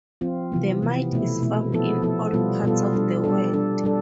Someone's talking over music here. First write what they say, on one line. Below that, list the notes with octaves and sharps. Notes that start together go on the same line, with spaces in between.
The mite is found in all parts of the world.
F3 C4 F4
C3 E3 B3
C3 E3 B3
B2 A3 E4
B2 A3 E4
F3 B3 E4 A4
F3 B3 E4 A4
B2 G3 B3 F4 A4
B2 G3 B3 F4 A4
G3 D4 A4
G3 D4 A4
G3 D4 A4
G3 D4 A4